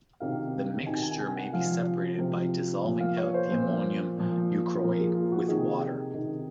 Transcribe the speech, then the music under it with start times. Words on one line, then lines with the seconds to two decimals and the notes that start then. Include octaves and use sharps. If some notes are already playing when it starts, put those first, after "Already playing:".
The mixture may be separated by dissolving out the ammonium euchroate with water.
0.20 C3 D#3 F5
0.86 C3 D#3 G#5
1.03 G#5
1.20 G#5
1.36 F#5
1.52 C3 F3 F5
2.18 C3 F3
2.85 A#2 F3
3.00 F5
3.17 C#5
3.34 C5
3.50 A#2 F3
4.17 A#2 F3
4.82 A#2 F3 A#4
4.99 G#4
5.15 F4
5.32 F#4
5.48 C3 D#3 G#4
6.14 C3 D#3